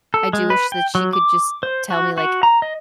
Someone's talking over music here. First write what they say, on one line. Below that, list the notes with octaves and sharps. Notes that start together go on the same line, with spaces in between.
I do wish that she could just tell me, like
A4
G#3
B4
G5
F#3
D6
C5
F#4
F#4
A#5
D#5